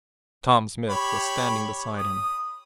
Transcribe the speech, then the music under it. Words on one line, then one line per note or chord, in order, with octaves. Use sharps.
Tom Smith was standing beside him.
G4 C#5 B5
D#6